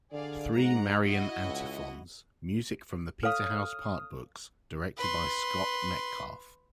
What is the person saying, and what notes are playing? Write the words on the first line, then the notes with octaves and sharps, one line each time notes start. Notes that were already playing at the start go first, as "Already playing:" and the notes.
Three Marian Antiphons : Music from the Peterhouse Partbooks, directed by Scott Metcalfe.
D3 G#4 D5 F5
G#2 F#5 A#5
E4 F#4 D#5
C#2
A4 C#5 F5 D#6 F6
B4 C6